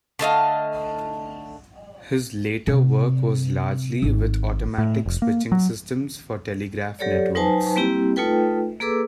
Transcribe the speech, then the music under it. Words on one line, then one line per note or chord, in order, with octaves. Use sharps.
His later work was largely with automatic switching systems for telegraph networks.
D3 A3 D#5 F5
C3
G#1
A2
F1
A#3
F#3
F#3 G4 A4 C#5 D5
F#3 D#4 B4 C5 G#5 A5
G3 A#3 C4 E4 G4
A3 D#4 F4 A4 B4 G5
A#3 G#4 A4 B4 D6 E6